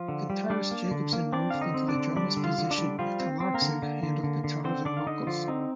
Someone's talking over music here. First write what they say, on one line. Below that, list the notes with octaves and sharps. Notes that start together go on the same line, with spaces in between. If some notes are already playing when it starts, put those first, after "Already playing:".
Guitarist Jakobson moved into the drummer's position and Talarczyk handled guitars and vocals.
Already playing: F3 F4
D3
G3
G3 D4 D5
A#3
D3
A#3
C4 D4 D5
D3 F5
D#4 D#5
C4
D4 D5
D3
G3 D4 D5
D3
F4 F5
D3
D4 D5
G3
F3 G3 F4
C4
C4
A#3 A#4
D3
D3
D3
D3
D3
D3 C4 C5
D3 D4 D5
F5
D3 D#4 D#5
D3 F3 F4
C4 D#4